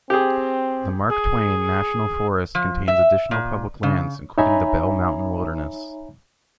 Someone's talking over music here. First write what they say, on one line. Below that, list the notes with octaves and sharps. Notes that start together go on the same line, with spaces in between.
The Mark Twain National Forest contains additional public lands, including the Bell Mountain Wilderness.
C4 G4 G#4
G#4
F3
E5
A#2
C#3
D#4 C#5 E5 G#5 A#5 B5